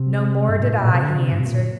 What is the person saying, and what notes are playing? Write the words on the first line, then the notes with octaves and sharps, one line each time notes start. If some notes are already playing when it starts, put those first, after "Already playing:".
"No more did I," he answered.
Already playing: C3
G2
A2
A#2
C3
D3
C3
G2
C3
A#2